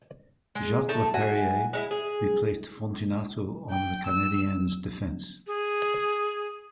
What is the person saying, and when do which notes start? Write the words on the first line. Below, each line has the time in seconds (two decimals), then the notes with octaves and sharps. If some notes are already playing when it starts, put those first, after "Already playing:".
Jacques Laperriere replaced Fontinato on the Canadiens defence.
0.55 G#3
0.89 A3 D#4 A4 A5
1.14 F#4 E5 G#5
1.73 G#3 D#4 E4
1.91 G#4
3.71 G5
4.06 E6
5.47 G#4